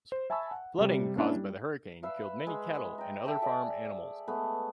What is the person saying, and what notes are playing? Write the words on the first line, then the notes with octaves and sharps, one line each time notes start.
Flooding caused by the hurricane killed many cattle and other farm animals.
C5
E5 G#5 A5 B5 C#6 E6
F#5
C3 G3
A#3 C#4 D4 E4
G3
B4 E5 F5
G#3 B5
G5 A#5
A4 E5 G5
G#4 D5 E5
G#3 A3 B3